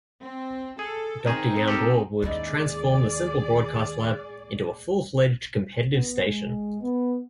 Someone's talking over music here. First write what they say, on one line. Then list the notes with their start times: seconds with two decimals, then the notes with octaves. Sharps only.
Doctor Yambor would transform the simple broadcast lab into a full-fledged competitive station.
0.21 C4
0.79 G#4 A4
1.26 D#3 C4 D#4 G#4
1.68 G4 A4 A#4
2.22 D#2 G#2 C#4 D#4 E4 G#4 D5
5.91 B3
6.24 G#3
6.81 B3